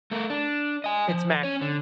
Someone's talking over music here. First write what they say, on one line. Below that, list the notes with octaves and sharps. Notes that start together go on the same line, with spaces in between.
It's Max.
A3 A#4
D4
D#5 G#5
F3
C#4 C#5
D3